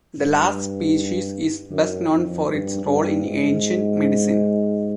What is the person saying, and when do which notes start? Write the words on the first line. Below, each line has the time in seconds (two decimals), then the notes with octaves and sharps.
The last species is best known for its role in ancient medicine.
0.18 G2
1.71 F#2
2.09 F2
2.47 G2
2.86 G2
3.24 G#2